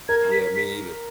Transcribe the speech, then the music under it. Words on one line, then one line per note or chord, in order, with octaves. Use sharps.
Yeah, me either.
A#4 G#6
B6
B6